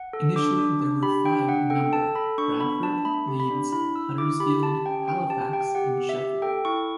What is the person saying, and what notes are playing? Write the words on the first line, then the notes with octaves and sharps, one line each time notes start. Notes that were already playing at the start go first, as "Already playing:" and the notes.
Initially there were five in number: Bradford, Leeds, Huddersfield, Halifax, and Sheffield.
Already playing: F#5
A4
D4 D6
D4
D4
G4 B5
D4 G5
D4 F#5
A4 G5
A4 A5
A4 B5
D4 C#6
B3 B5
D4 A5
A3 B5
G4
B5
D4
E4 B5
E4 E6
E4 D6
G4 B5
G4 A5
C#4 G5
C#4 G5
G4 A5
G4 G5
G4 F#5
B3
E5
G4
A4 G5
E4 C#6